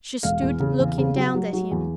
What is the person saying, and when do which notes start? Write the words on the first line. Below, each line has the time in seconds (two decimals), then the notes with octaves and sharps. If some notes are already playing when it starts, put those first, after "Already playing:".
She stood looking down at him.
0.23 E1 F5
0.42 E2
0.60 C#3
0.79 E2
0.98 C#3
1.16 F#3
1.34 F#3
1.53 F#3
1.71 E2